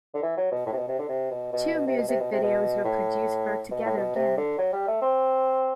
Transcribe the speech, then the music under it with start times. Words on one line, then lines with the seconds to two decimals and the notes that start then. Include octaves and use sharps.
Two music videos were produced for "Together Again".
0.15 D3
0.22 E3
0.37 F#3
0.52 B2
0.66 A2
0.72 C3
0.77 B2
0.88 C3
0.99 D3
1.09 C3
1.31 B2
1.53 B2
1.74 B2
1.87 C3
1.98 B2
2.09 C3
2.20 B2
2.32 C3
2.43 B2
2.84 A2
3.71 B2
3.85 A2
3.97 B2
4.16 C3
4.37 D3
4.59 F#3
4.73 G3
4.88 A3
5.02 C4